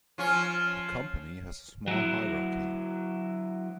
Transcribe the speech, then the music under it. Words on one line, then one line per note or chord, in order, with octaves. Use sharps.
The company has a small hierarchy.
F3 C#4
F#3 E4